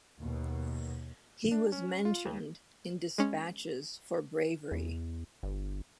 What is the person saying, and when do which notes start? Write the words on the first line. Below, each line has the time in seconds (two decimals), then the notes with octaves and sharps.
He was mentioned in despatches for bravery.
0.19 D#2 B2
1.51 D4
1.72 C#4
2.05 F4
2.25 D#2
3.18 G#3 C#4
4.71 E2
5.43 G1